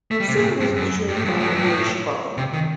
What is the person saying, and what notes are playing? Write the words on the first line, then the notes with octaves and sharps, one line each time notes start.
Sil was portrayed by Nabil Shaban.
A3
G3
C3
A#2
A2
G2
F#2
G2
A2
G2
F#2
A2
F#2
G2
A2
C3
D#3